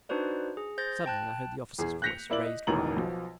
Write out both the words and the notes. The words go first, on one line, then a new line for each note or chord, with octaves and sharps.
Suddenly I heard the officer's voice raised wildly.
D4 D#4 F#4 B4 C5 D5
G#4
C5 G6 A6 A#6
G5 A5 F#6
E2 G#4
F#6 G6 A#6 B6 C#7 F7
A#3 E4 D5 F#7
D#5
E1 A1 D#3 E3 A#5 F#7
B1 B2 F3